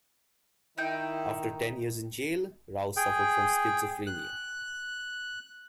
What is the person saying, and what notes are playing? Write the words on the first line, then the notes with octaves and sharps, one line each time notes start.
After ten years in jail, Rao suffered from schizophrenia.
D#3 D#4 E4 G5
G#4 G5
F#6